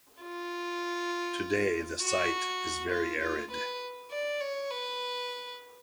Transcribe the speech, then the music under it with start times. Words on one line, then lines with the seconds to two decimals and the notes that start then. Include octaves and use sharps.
Today the site is very arid.
0.23 F4
2.01 F#4
2.91 F4
3.21 F4
3.51 B4
4.11 D5
4.40 C#5
4.70 B4